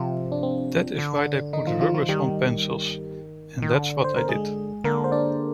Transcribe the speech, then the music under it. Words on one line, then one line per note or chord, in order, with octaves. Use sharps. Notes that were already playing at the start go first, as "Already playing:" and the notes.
That's why they put rubbers on pencils, and that's what I did.
Already playing: C3 F3 F4
D4
C4
D3
D#3 D#4
F3 F4
F3 F4
F3 F4
D#3 G3 G4
D#3
D3
C5
A#4
G#3 G#4
D3 A#3 A#4
C5
D4 D5